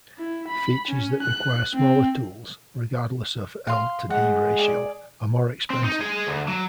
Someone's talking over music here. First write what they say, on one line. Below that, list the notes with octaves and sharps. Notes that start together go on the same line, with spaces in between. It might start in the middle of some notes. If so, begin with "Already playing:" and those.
Features that require smaller tools, regardless of L:D ratio, are more expensive.
E4
B5
C#4
F#6
C4
F5 C6
G#3 F#5
G#4 D5
C4
D#4
G#4 D#5
D2
F#3